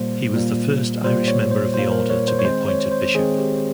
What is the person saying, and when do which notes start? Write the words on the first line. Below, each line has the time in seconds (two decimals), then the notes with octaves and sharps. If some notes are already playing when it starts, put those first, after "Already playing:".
He was the first Irish member of the order to be appointed Bishop.
Already playing: A#2 G3 A#3 C5
0.34 A#2 G3 A#3
1.04 A#2 G3 A#3 C5
1.28 C#5
1.51 C5
1.74 A#2 G3 A#3 C5
1.92 A#4
2.10 C#5
2.28 C5
2.39 C#5
2.44 D#3 G#3 C4 C5
2.69 C#5
2.91 C5
3.15 D#3 G#3 C4 G#4
3.39 G4